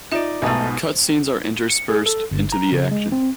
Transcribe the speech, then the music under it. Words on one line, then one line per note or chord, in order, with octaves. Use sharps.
Cut scenes are interspersed into the action.
D#4 F4 D5 E5
B1 G#2 B2 A3 D#4
C#7
G#4
A4
G1
A#5
C#3
G#3
C4